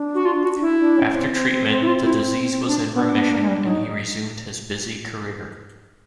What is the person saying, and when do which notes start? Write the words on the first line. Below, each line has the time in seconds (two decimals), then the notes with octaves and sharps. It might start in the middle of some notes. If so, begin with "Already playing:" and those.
After treatment, the disease was in remission and he resumed his busy career.
Already playing: D4
0.15 F#4
0.25 F4
0.43 F#4
0.61 E4
0.79 D4
0.97 C#4
1.15 C4
1.33 C4
1.51 C4
1.69 C4
1.82 E4
1.86 C4 F4
2.00 F4
2.04 E4
2.67 D4
2.94 B3 D4
3.13 B3
3.30 A#3
3.41 G#3
3.48 G3 D4
3.62 G3
3.66 F#3 D#4